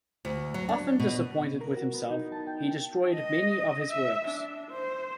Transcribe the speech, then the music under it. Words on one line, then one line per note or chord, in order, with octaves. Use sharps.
Often disappointed with himself, he destroyed many of his works.
D2
F#3
D4
B2
A#4
F#4
B3
D#4
A5
G5
D#5
E5
D4
C5